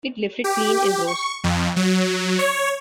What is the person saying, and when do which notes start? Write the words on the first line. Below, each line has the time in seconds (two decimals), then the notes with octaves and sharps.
It lifted clean and rose.
0.44 G4
1.07 C#6
1.44 F2
1.76 F#3
2.39 C#5